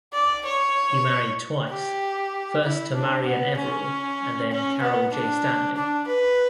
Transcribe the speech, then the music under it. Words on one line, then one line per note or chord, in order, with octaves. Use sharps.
He married twice, first to Marian Everall and then Caryl J. Stanley.
D5
C#5
G4
E4
D4
B3
C#4
C#4
B3
D4
D4
B4